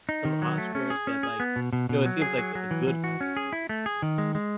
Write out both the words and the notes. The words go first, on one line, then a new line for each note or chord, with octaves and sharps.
some Oscars that like, you know, it seems like a good kind of weird for this movie.
D#4
D#3
F#3
A3
C#4
G#4
C#4
G#4
B3
B2
B2
B2
F#3
G#4
F#3
F#3
E3
E3
F#4
C#4
G#4
E4
A3
G#4
D#3
G#3
G#3